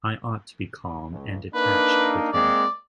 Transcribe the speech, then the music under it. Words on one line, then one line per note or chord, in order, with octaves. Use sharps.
I ought to be calm and detached with him.
C#2
A#3 D4 D#4 B4
G#3 A#3 C4 D5